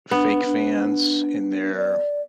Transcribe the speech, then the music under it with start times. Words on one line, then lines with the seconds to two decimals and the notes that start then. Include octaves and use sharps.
fake fans in their
0.11 B3 D4
0.45 D4
1.76 D5